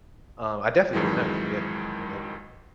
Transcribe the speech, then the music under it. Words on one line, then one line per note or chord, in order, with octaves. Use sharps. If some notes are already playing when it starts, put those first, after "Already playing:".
uh, I definitely will never forget her, ever,
F2 G#2 D#3 E3 F#3 G#3